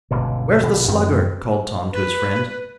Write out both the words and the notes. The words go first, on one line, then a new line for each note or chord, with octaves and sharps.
"Where's the Slugger?" called Tom to his friend.
G1 C#2 B2 D3
A#1 B2 D3 B3
F#2 D#3 C4
B4